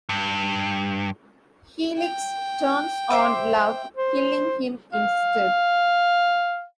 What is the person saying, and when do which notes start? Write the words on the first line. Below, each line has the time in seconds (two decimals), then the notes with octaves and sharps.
Helix turns on Love, killing him instead.
0.09 G2
1.98 G5
3.10 C5 E5 D6
3.97 C5
4.93 F5